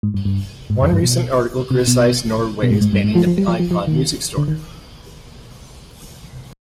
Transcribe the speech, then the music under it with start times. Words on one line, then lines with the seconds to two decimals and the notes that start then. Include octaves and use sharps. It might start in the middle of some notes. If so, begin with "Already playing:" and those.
One recent article criticized Norway's banning of the iPod music store.
0.03 G#2
0.14 G2
0.25 G2
0.70 G#2
0.81 F2
0.93 G2
1.03 B2
1.71 C3
1.87 B2
2.63 B2
2.71 G#2
2.81 G#2
2.93 G2
3.04 G#2
3.15 F3
3.27 F3
3.38 G3
3.48 F3
3.59 F3
3.71 F3
3.87 D#3
4.37 D3
4.48 D#3